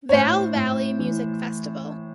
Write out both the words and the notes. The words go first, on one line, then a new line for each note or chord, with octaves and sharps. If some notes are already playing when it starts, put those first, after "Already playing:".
Vail Valley Music Festival.
C#5
A2 C5
A2
E3